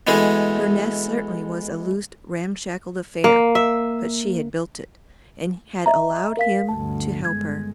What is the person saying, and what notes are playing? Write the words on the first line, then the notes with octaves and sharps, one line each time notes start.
Her nest certainly was a loose ramshackle affair; but she had built it, and had allowed him to help her.
B2 E3 G#3 A3 G#4
A#3
E5
D#5 E5 A#5
A#4 F5 B6
D2 G2 A5
G1 G#3 G#6